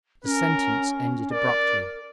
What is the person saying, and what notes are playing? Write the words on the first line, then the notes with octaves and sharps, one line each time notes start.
The sentence ended abruptly.
C#4 A#4
A#4 D5